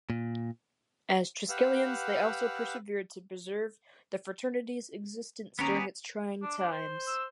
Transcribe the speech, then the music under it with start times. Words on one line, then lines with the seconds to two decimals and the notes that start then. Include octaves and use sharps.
As Triskelions they also persevered to preserve the fraternity's existence during its trying times.
0.10 A#2
1.49 G4 B4 F5 F#5 E6
5.59 D#2 B3 C#4 G4 G#4 A#5
6.42 D4
6.58 D4
6.71 C5
7.07 E6